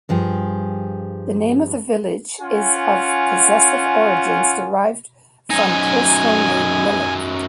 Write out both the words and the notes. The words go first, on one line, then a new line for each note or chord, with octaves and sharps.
The name of the village is of possessive origins derived from personal name "Milik".
G2 F3 G4 G#4
C#4 F4 F#5 G#5
F#2 D#4 G#5